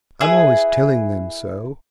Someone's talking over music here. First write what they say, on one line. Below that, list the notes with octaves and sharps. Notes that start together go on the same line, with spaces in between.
I'm always telling them so.
E4 G#4 B4 G#5